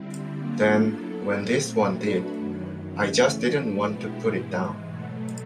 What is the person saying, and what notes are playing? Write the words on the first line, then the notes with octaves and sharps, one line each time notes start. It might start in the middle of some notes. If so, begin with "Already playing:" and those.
Then when this one did, I just didn't want to put it down.
Already playing: D3 G3 C4 E4
F#3 A#3 D4 F4
F#3 B3 E4 A4
A#2 F#3 A3 C4
F#3 A3 D4 F#4 B4
F#2 D#3 F#3
C#3 E3 A3 C#4
F3 A3 D4
B2 G#3 B3 E4 G4
G#2 E3 G#3
B2 F#3 A3